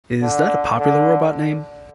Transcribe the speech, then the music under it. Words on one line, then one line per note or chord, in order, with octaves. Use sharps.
Is that a popular robot name?
D3
D3